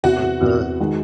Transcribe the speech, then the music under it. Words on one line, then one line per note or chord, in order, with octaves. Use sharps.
But the
E2 C3 E3 F#4
E2 C3 E3
D#3 G#3